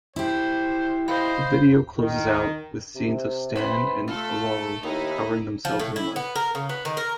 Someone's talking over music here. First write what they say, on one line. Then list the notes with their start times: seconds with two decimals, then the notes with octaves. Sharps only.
The video closes out with scenes of Stan and Olaru covering themselves in mud.
0.16 E4 G4 C5
1.08 C5 D#5 F5 B5
1.97 D#3
2.96 C3
3.56 B4 C5 B5
4.08 A3 F4 A4
4.83 D#2 B3 D#4 E4
5.65 F3
5.80 A2
5.96 E4
6.16 B3
6.36 A#4
6.55 C#3
6.69 B3
6.85 D#3
6.97 A#4